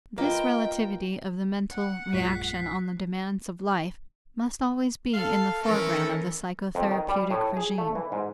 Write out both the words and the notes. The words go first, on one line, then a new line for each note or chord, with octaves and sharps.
This relativity of the mental reaction on the demands of life must always be in the foreground of the psychotherapeutic regime.
A#3 F4 B4 D#5 G5
F#5
A#1 F#2 G#3 F4 C#5 F#6 B6 C7
A4 F5
E3 A3 C#4 A4 A#4
F2
D#3
G3
A2
G#4
A3
E3
G#2